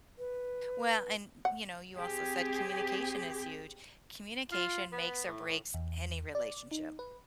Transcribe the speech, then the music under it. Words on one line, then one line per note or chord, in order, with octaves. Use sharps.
Well and y you know, you also said communication is huge, communication makes or breaks any relationship.
B4
F#5
C4 G4 G#4
F4
B3
A2
E2
D5
D#4
B4